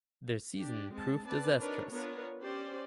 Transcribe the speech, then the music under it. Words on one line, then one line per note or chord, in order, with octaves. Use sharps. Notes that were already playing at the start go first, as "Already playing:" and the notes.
The season proved disastrous.
D4 G4
G#3 C4 A5
C4 B4 D5 A5
D4 D#4 F#4 A#4 B4 C#5
B3 D4 F4 A#4 B4 C#5
C#4 G4 C5 D5